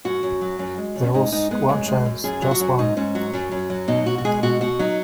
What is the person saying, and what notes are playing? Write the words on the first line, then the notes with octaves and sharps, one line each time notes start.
There was one chance — just one.
F#2 F#4
F#2
F#3
F#2
G#3
F#2
C#4
G#2 D#4
G#2 D#4
G#3 B3
F#2 G#3
G#3
F#2
F#2 G#4
F#3
F#4
F#2
G#2 D#4
G#2 C#4
F#3 F#4
F#2
F#2
F#3
B2 D#4
B2 F#4
F#4
G#3 G#4
B2 F#4
B2 F#4
F#3 D#4